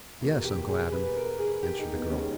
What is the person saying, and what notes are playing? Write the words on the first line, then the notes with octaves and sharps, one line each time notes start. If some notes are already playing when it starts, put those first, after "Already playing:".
"Yes, Uncle Adam," answered the girl.
E2 B2 A#3
G4
G#4
B4
A#4
G#4
G4
D#4
B3
D#2 D#3 G#3 C#4